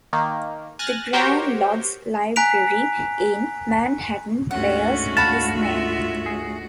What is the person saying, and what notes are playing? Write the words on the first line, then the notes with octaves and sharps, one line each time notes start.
The Grand Lodge's library in Manhattan bears his name.
D#3 A#3
G#5 F6 F#6 A6 A#6
F#4 G4 A#4 C5 C#5 G5
G#5 A#5 F#6 B6 D7 F7
D2 G#2 C#4 F#4 F#5
F5 F#5 A5 B5
F4 E5
G#4